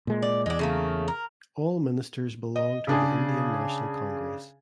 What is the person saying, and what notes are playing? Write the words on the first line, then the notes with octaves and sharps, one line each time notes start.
All ministers belonged to the Indian National Congress.
A#2 G#3
D5
E2 G#3 D4
C#3 A3 A#3
A#4
D#5
C#3 D4 G#4